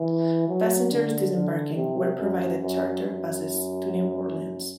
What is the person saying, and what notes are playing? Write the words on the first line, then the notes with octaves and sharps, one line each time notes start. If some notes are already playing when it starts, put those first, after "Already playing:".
Passengers disembarking were provided charter buses to New Orleans.
Already playing: E3
F#3
D3
D3
C3
F#2
F#2
F#2